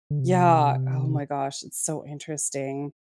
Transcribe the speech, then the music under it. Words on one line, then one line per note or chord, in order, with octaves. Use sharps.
Yeah. Oh my gosh. It's so interesting.
D3
C3